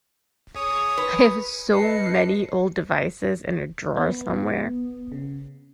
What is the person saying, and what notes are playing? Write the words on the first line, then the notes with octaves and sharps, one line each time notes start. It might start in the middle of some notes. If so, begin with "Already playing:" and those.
I have so many old devices in a drawer somewhere.
G#4 C#5 D#6
B4
B4 D#5 A5 C7 C#7
B3
C#3